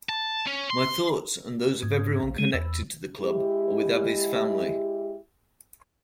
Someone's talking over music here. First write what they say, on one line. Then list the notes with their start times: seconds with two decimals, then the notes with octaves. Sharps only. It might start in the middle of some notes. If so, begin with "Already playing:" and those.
My thoughts and those of everyone connected to the club are with Avi's family.
0.09 A5
0.47 C#4
0.70 C6
1.83 G#2
2.23 A#1
2.38 G#3
2.54 E2
3.20 G#3 E4 G4